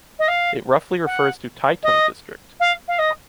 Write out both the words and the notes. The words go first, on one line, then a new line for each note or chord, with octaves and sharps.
It roughly refers to Taitung district.
D#5
F5
F#5
D#5
F5
F5
D#5